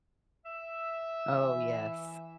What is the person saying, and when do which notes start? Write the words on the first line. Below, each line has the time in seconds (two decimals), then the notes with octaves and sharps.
Oh, yes.
0.45 E5
1.29 E3